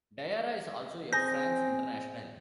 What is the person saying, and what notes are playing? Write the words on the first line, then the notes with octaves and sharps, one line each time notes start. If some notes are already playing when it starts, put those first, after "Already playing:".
Diarra is also a France international.
C4 G#4 G6 A#6